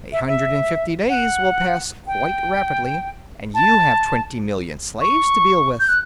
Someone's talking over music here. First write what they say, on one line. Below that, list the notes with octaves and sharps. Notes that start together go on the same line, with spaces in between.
A hundred and fifty days will pass quite rapidly, and you have twenty million slaves to deal with.
E5
E5
F#5
G5
A5
C#6
G6
F#6